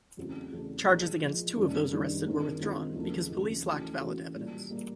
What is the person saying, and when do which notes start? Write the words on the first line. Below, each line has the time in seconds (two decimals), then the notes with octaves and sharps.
Charges against two of those arrested were withdrawn because police lacked valid evidence.
0.17 E2 C#3 F#3 A3 C4
0.52 E2 C#3 F#3 A3 C4
0.87 A#2 F3 G#3
1.22 A#2 F3 G#3
1.56 F#2 D#3 G3 B3
1.92 F#2 D#3 G3 B3
2.26 D#3 G#3 C4 F4 A#4
2.60 D#3 G#3 C4 F4 A#4
2.96 D#2 C#3 F3 A3
3.30 D#2 C#3 F3 A3
3.65 E3 A3 C#4 F#4 A4
4.00 E3 A3 C#4 F#4 A4
4.34 A#2 G3 A#3
4.69 A#2 G3 A#3